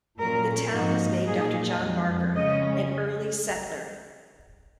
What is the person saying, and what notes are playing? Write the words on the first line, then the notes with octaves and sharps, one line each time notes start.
The town is named after John Barker, an early settler.
A#2 F#3 C#4 A#4
G#2 F3 A#3 D#4 F#4
A#2 F#3 A#3 D#4 G#4
F2 F3 G#3
C#3 G#3 C#4 D#5